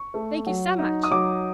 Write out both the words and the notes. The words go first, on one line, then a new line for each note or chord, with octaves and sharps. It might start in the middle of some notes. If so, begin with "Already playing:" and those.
Thank you so much.
Already playing: C#6
A3
F#3
D#4
D#6
F#3 D6